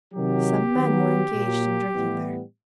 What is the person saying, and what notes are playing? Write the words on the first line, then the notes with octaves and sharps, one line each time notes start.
Some men were engaged in drinking there.
C3 D#3 F#3 G4
D#3 F#3 B3
A#2 F#3 A#3
A2 E3 G3 B3